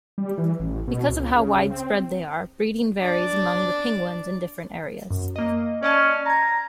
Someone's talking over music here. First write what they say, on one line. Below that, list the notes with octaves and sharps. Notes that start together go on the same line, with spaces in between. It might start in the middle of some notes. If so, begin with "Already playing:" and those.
Because of how widespread they are, breeding varies among the penguins in different areas.
G3
E3
A1
B2
C#2
C#3
C4
D4 D5
F#2
A#3 D#5
C#4 D5 D#5 A5
A5 A#5 G#6